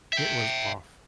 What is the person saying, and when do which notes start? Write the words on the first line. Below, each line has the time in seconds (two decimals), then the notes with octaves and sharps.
It was off.
0.13 E5 G5